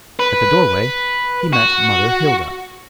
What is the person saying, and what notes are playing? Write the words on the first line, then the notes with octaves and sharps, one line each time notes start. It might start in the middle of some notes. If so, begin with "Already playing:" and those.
At the doorway he met Mother Hilda.
B4
F#4